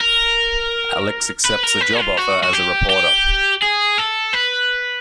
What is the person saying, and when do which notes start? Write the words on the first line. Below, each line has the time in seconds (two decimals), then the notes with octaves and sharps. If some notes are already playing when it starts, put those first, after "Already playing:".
Alex accepts a job offer as a reporter.
0.01 A#4
1.45 B4
1.64 A#4
1.81 B4
2.00 F4
2.17 F#4
2.43 F#4
2.53 G4
2.89 G4
3.62 G#4
3.98 A4
4.33 B4